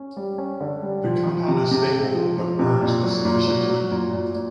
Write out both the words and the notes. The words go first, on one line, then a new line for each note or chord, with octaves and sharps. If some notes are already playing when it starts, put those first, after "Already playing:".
The compound is stable but burns with sufficient heat.
Already playing: C#4
G3
C#4
D3
G3
F3
F3
C3
C3
C3
F3
F3
C3
A#2
F#3
A#2
F#3
F#3
A#2
A#2
A#2